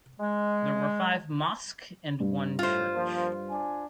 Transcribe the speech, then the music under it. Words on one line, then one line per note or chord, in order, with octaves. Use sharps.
There are five mosque and one church.
G#3
G2
A2 F4 C5
F3 A#3
D4 G#5